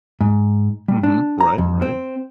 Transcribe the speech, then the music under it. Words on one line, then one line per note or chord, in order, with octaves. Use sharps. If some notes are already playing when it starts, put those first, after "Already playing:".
Mhm, right, right.
G#2
G3
D4
A#5
F2
C4